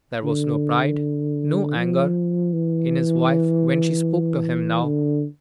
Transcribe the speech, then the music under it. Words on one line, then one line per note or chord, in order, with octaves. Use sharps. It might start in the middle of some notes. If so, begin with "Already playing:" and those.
There was no pride, no anger, in his wife when she spoke to him now.
D3
F3
E3
D3